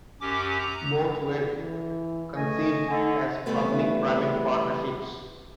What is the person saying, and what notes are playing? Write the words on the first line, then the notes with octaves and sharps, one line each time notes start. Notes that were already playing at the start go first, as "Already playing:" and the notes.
Both were conceived as public-private partnerships.
F#2 C#4 G4 D6
A#5
E3
A3 C#4 D#5 G#5
D3 D#4
E3 G3 A3 B3